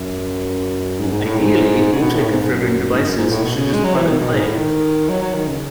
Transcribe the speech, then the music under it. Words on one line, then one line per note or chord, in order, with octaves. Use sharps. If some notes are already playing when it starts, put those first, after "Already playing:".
Ideally, auto-configuring devices should just "plug and play".
Already playing: F#2
G#2
F#2
G#2
A2
G#2
C#3
B2
A2
G#2
G#2
F#2
G#2
F#2
G#2
A2
B2
C#3
G#3
F#3
E3
D#3
B2
G#2
A2
D#3
F#3
F#3
D#3
C#3